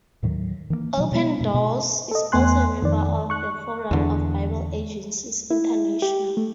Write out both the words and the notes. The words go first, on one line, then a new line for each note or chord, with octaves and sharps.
Open Doors is also a member of the Forum of Bible Agencies International.
D#2 A2 D#3 F#3
D#3 E3 G3 A#3
B2 F#3
B2 G#3 A3 B3
G2 B2 B3 C4
B2
A4 D#5
E2 A3 B3 G#5 C6 F#6
F2 D#3 D5
C#6 F#6
E2 D3
E4
G4
A3